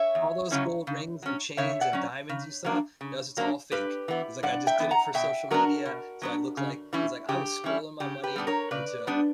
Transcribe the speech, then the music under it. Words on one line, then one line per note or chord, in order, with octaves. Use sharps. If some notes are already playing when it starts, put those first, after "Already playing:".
"All those gold rings and chains and diamonds you saw, that was just all fake." He's like, "I just did it for social media, so I look like" He's like, "I was scrolling my money into
Already playing: C#5 E5
E2
C#3 F#3 C#4 E4
C#3
F#3 C#4
C#3 C#5 E5
D5 F#5
F#3 C#4
C#3
F#3 A#3 D4
C#3
F#3 A#3 D4
G2 G4 B4
E3 B3
G2 D5 F#5
E5 G5
E3 B3
F#5 A#5
B2 E5 G5
F#3 B3 D4 F#4 A#4
B2
F#3 B3 D4
C#3
E3 G3 C#4 E4
C#3 G4
E3 G3 C#4 E4
C#3 G4
G4 B4
G3 B3 D4
A#4 C#5
C#3 B4 D5
G3 B3 D4